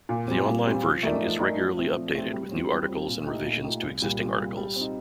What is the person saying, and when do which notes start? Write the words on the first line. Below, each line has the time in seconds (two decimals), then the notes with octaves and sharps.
The online version is regularly updated with new articles and revisions to existing articles.
0.09 A#2
0.28 G3 C4
0.46 A#2
0.65 G3 C4
0.84 F3
1.03 A3 D#4 A#4 D5
1.22 F3
1.40 A3 D#4 A#4 D5
1.58 F3
1.77 A3 C4
1.96 F3
2.15 A3 C4
2.33 G3
2.51 C4 F4
2.71 G3
2.89 C4 F4
3.08 A#2
3.26 A3 D#4 G4
3.45 A#2
3.64 A3 D#4 G4
3.83 C2
4.02 A#2 G3
4.20 C2
4.39 A#2 G3
4.57 G3
4.76 C4
4.81 D#4